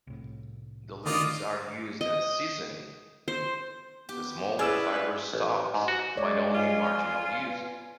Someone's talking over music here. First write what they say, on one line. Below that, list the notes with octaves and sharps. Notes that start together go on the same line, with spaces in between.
The leaves are used as seasoning; the small, fibrous stalks find only marginal use.
C2 A2
A2 D3 D#3 F4 D5 D#5
D#5
C5
B3 G4
C#4 E4 G#4 B4 D5 E6 E7
A1
G#2
F#4
G#3 C#5 D5 G#5
F4
B3